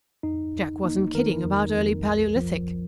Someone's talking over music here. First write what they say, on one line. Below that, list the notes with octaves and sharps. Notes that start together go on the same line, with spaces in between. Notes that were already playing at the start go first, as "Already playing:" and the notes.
Jack wasn't kidding about early Paleolithic.
F2 D#4
F2
A#3 D#4
D#3 A#4
F2
F2
B1
F3